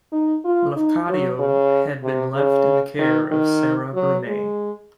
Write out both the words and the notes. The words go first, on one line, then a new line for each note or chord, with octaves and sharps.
Lafcadio had been left in the care of Sarah Brenane.
D#4
F4
D#4
F#3
C#3
C3
C#3
D#3
D#3
F#3
G#3